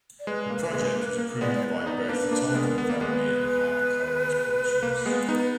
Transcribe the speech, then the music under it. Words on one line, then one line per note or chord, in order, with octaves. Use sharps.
The project was approved by both the Tolkien family and HarperCollins Publishers.
D5
G#3 B4
A#3
G#3 B4
A#3
A#3 A#4
G#3 B3 D5
D5
B4
B3 D#4 D5
A#3 D4 B4
A#3 D4
G#3 B3 A#4
B3
A#3 D5
G#3 B3 B4
A#3
G#3 B3
B3 D#4